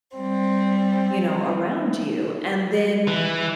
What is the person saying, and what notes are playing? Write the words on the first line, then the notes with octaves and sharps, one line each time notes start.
you know, around you, and then
G3 C4
E3